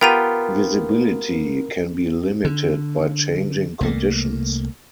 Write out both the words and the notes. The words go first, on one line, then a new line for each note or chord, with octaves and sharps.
Visibility can be limited by changing conditions.
B3 F4 G4 A#4 G5 A#5 D#7
D3
C2 A3 A#3